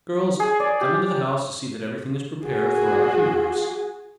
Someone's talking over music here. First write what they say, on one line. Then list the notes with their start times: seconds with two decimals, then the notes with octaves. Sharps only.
"Girls, come into the house to see that everything is prepared for our heroes."
0.40 G#4
0.60 D5
0.81 G4
2.46 F#4 G#4